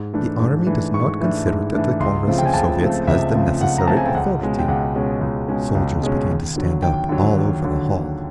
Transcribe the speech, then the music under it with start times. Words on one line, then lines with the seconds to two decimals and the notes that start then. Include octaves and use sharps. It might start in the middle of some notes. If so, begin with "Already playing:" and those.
"The Army does not consider that the Congress of Soviets has the necessary authority--" Soldiers began to stand up all over the hall.
Already playing: G#2
0.14 E3 A3 D4
0.40 G#2
0.67 E3 A3 D4
0.94 G#2 C#6
1.20 E3 A3 D4
1.47 G#2
1.74 E3 A3 D4
2.00 C#2 C6
2.27 C#3 F3 A3 C4
2.38 G5
2.46 G#5
2.54 C#2 A5
2.81 C#3 F3 A3 C4
3.07 C#2 E5
3.34 C#3 F3 A3 C4
3.61 C#2 F#5
3.78 A#5
3.87 C#3 F3 A3 C4 A5
3.97 G#5
4.06 G5
4.15 C#2 F#5
4.41 B2 G#3 C#4
4.59 G5
4.68 C#2 F#5
4.95 B2 G#3 C#4
5.21 C#2
5.48 B2 G#3 C#4
5.75 C#2
6.02 B2 G#3 C#4
6.29 D#2
6.56 D3 F#3
6.82 D#2 G5
7.09 D3 F#3
7.37 D#2
7.62 D3 F#3
7.89 D#2